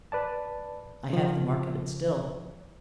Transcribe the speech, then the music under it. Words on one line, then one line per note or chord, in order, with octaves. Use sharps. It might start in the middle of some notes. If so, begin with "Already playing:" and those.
I have the mark of it still.
B4 D5 A5
C#3 F3